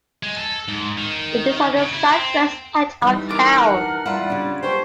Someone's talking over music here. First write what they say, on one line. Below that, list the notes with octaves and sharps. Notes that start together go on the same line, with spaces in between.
It is on the southwest edge of town.
G#3
A4
G#2
D#3
C#3
E4
C4
E3 G3 D#4
D4 A#4 B4 D6 F6
F#5
G3 E4 F4 F#5
C#3 D4 G4 C#5
G4 B4 C5 A5 C#6